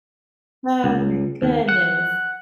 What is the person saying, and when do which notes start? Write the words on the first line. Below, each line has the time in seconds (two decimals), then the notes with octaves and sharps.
Oh my goodness.
0.84 C#2
1.42 D#2
1.69 F#5